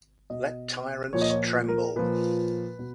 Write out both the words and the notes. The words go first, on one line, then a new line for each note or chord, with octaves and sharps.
Let Tyrants Tremble!
B2 D#5
A#2 F3 C#5
D#5
C#5
A#4
A#2 F3 B4
B2